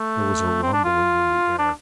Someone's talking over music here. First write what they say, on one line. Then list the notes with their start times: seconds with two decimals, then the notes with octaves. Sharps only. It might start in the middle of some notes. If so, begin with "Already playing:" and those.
There was a rumbling in the air.
Already playing: A3
0.63 C4
0.73 D4
0.84 F4
1.59 D4